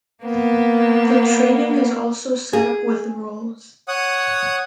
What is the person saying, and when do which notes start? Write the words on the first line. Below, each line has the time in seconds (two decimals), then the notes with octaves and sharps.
The training is also set up with roles.
0.22 A#3 B3
2.53 G#4
3.88 C#5 F#5 D#6